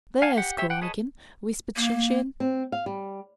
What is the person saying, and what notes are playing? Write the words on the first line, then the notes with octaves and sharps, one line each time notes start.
"There's Kuragin!" whispered Shinshin.
F5 F#5 G#5 A5
G4 F#5
G4 C#5 E5
F#5 G5
G#4 B4 C#5 D#5 A5
A#3
C4
F5
G3